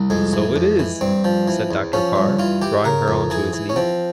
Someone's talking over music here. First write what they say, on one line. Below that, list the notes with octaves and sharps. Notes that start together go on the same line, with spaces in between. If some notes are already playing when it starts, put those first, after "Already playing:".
"So it is," said Dr. Carr, drawing her on to his knee.
Already playing: C2
F2 G#3
E3
F2
E3
G2 C4
F3
E3
E2
F3 C#4
G2
E3 F4
E3 G4
C#3 A#4
F2
E3 G#4
E3
C#4
F3 C4